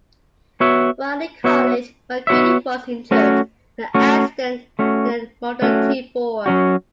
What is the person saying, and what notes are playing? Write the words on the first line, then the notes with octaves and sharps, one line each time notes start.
While in college, Macready was injured in an accident in a Model T Ford.
B3 F#4 C#5 E5
B3 F#4 C#5 E5
B3 F#4 C#5 E5
A3 C#4 F#4
A3 C#4 F#4
A3 C#4 F#4
A3 C#4 F#4
F#3 C#4 F#4